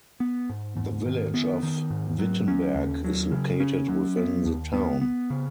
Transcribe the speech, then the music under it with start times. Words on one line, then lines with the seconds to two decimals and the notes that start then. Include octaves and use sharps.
The Village of Wittenberg is located within the town.
0.20 B3
0.50 G#2
0.77 G#2
1.06 D#3
1.34 B3
1.63 D#3
1.90 G#2
2.19 F#3
2.48 C#4
2.75 D#2
3.04 F#3
3.31 C#3
3.60 C#4
3.89 F#3
4.16 B3
4.46 D#2
4.74 B3
5.01 B3
5.30 C#3